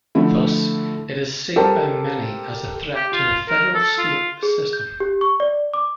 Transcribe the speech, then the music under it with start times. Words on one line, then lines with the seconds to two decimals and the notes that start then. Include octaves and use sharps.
Thus, it is seen by many as a threat to the federal state system.
0.15 D3 F3 A3 E4
1.56 G4 A4 A#4 C5 A5
2.95 G4
3.13 F4
3.49 A#4
3.75 A4
3.99 F4
4.43 G#4
4.73 G6
5.00 G4
5.21 C#6
5.40 D5
5.74 D6